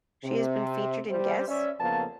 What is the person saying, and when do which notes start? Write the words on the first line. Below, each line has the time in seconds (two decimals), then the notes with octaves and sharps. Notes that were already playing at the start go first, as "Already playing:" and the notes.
She has been featured in Guess?
0.25 C3
1.10 G3 G4 C5
1.47 C#4 D5 E5
1.80 F2 C#3 F3 A#3 B3 A5